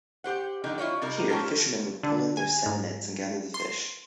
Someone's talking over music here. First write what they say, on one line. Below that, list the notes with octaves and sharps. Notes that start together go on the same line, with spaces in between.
Here, fishermen would pull in their seine nets and gather the fish.
G4 C5 F#5
D3 F3 D#4 G4
E4 F4 C#5 D5
C3 G3 D#4 A#4
C#4 F4 G4 A4 A#4 C5
D3
G#5
G#2
C6